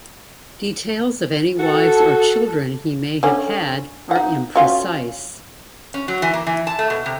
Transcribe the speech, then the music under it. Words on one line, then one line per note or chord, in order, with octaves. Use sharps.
Details of any wives or children he may have had are imprecise.
F#4 A4
D3 C#4
D#4 F#5
C#4 F4 F#4
C#4
F#3
E3
A#3
E3
A5
A3
B2
C3